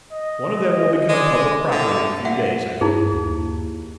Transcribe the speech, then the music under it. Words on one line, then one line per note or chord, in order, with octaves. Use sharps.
One of them will become public property in a few days, I think.
D#5
G#3 D5
D3 E4
E5 F#5
G2 D#4 E4 G#4
D#2